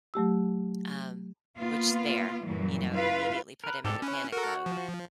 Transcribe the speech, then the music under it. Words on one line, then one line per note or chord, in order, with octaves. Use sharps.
um, which there you know, immediately put him in the panic mode,
F#3 A3 G4 E6
A#3 B3 F4
F#2 A#2 E3 F#3 G3
E4 F4 B4 F5
A#4 B4
G#2 G4 A4 D5
C#4 E4 B4
F#4 A4 A#4
F3